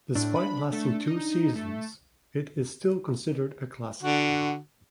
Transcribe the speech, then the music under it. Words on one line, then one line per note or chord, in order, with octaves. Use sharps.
Despite lasting two seasons, it is still considered a classic.
A2 D4
B5
A3
D#4
A3
D3 F#4